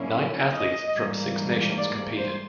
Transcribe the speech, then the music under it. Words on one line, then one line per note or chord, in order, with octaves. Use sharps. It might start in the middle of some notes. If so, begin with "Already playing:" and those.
Nine athletes from six nations competed.
Already playing: A#2 F#3 A#3 C#4 E4
D#5
G#2 E3 G3 A#3
D5
C5